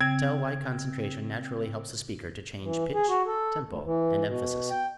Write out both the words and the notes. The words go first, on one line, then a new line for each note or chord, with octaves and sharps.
Tell why concentration naturally helps a speaker to change pitch, tempo, and emphasis.
C#3 C4 G#6
E3
G#4
F#4
A4
D2
E3
B2
G5